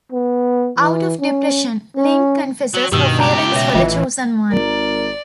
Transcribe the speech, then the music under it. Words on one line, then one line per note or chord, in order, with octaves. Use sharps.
Out of depression, Ling confesses her feelings for The Chosen One.
B3
E3
C#4
C#4
F#3
G2 B2 D#3 G4 E6
C#2 G4 A5 A#5
B2 C#5 E5 A#6
A1 E3 F4 D#5 E5
G#1 A#4 D5